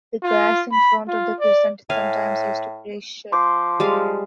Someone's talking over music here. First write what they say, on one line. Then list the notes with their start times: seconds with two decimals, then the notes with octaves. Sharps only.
The grass in front of the crescent is sometimes used to graze sheep.
0.23 F4
0.72 B5
1.08 F4
1.39 D5
1.90 A2 F5 G#5
3.32 F3 C6 D6 G6
3.80 G3 G#3 F5